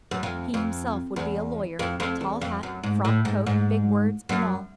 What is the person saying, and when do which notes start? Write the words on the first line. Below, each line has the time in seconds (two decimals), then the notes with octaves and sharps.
He himself would be a lawyer--tall hat, frock coat, big words and all.
0.11 F#2
0.23 F2
0.54 F2
1.16 E2
1.79 F2
2.00 F2
2.21 E2
2.41 F2
2.63 F#2
2.83 G#2
3.05 A2
3.25 G#2
3.46 G#2
4.29 F#2